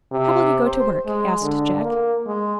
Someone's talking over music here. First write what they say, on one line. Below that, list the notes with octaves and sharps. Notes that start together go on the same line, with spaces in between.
"How will you go to work?" asked Jack.
C3
C5
G#3
D3
A#3
G#3